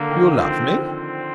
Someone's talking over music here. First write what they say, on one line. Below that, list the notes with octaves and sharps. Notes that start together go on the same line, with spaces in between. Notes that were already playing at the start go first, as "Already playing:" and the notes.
"You love me?"
Already playing: D3 A#3
D#3
F3 C4
C4